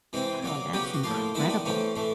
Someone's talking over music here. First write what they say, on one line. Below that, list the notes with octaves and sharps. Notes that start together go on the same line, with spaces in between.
Wow, that's incredible.
C3 E3 G#3 C4
A#2 F#3 A#3
C#3 F#3 B3 G4
F#4
F#4
A2 F3 A#3 F4
D#3 G#3 B3 E4
D4
E3 A3 C4 C#4
A2 E3 A3